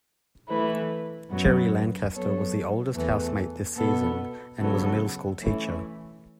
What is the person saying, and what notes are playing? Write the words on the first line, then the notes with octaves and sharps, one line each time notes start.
Gerry Lancaster was the oldest housemate this season, and was a middle school teacher.
E3 A3 E4 B4
F#2 F#3 B3
F#3 B3 A4 C#5
E2 E3 A3
B2 B3 A4
C#3 F#3 B3 A4
E3 A3 C#4 E4